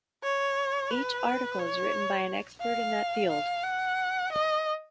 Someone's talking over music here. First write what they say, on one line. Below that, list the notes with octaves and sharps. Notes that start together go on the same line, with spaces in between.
Each article is written by an expert in that field.
C#5
B4
C#5
F5
F5
F#5
D#5